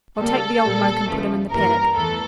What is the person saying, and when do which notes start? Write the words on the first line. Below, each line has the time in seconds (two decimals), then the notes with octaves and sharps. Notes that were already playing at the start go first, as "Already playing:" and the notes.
I'll take the old moke and put him in the paddock.
0.19 C#3 G3 A#3 A4
0.64 A#2 G3 A#3
1.08 E2 C#3 F3 A3
1.51 G2 E3 G3 A#3 A#4
1.95 E2 E3 A3 A4